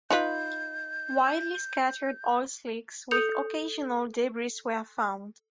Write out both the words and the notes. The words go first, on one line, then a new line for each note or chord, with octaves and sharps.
Widely scattered oil slicks with occasional debris were found.
D#4 F4 B4 G6
A4 D#6 G6 C#7 F7